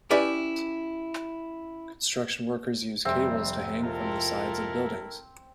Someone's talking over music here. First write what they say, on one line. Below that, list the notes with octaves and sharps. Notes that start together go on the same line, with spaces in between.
Construction workers use cables to hang from the sides of buildings.
C#4 E4 G4 B4 D5 E5
F1 G3 C4 E5
E4 F4 A4 A#4